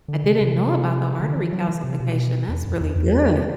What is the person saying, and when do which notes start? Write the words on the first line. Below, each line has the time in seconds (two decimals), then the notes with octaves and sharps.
I didn't know about the artery calcification, that's really good.
0.08 D3
0.24 C3
0.41 C3
1.20 D3
1.36 E3
1.53 F#3
1.69 E3
1.84 C3
2.00 B2
2.48 E2
2.65 F#2
2.81 E2
2.96 E2